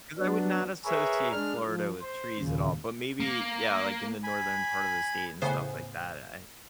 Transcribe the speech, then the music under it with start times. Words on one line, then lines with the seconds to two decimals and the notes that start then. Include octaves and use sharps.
'Cause I would not associate Florida with trees at all, but maybe, yeah, like, in the northern part of the state and stuff like that, I
0.18 F#3 B3 D4
0.85 G#4 A#4 B4 C#5 E5
1.32 G#3 D4 F6
1.66 F3
2.01 C5
2.39 D#2 A#2 C#3
3.20 A#3
4.23 G#5 B5
5.42 A2 C#3 B3 C5 G#5